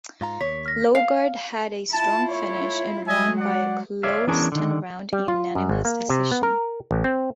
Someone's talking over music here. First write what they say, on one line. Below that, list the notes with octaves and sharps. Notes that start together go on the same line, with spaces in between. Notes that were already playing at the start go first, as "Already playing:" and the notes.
Logart had a strong finish and won by a close ten-round unanimous decision.
G#2 F4 A#5
D#2 C#5 B6
F6 A#6
F5
E4 F4 A5
A3 C#5
F#3 G#3 D#5 E5 G#5
D5 F#5
C#5 D5 E5 F5
E3 B3 C#4 D4 G#4 A#4
D3 D#3
G3
F4
F#2
G#1
A#3
C3
B3
A#4
A1
C4